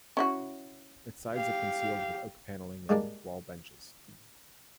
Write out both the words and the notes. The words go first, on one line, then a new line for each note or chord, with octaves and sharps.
Its sides are concealed with oak panelling and wall benches.
C#4 E4 F#4
G4 F5
G3 G#3 A#3 D4